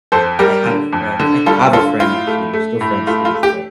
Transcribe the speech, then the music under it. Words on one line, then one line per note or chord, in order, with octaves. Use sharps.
I had a friend I have a friend, actually, we're still friends to this day,
F2 A4 C5
G3 G4 A#4
D3
F2
D3
G3 F4 A4
D3 F4 A4
A2 F4
A3
A3
A2
A3 F4
F4
A3
G4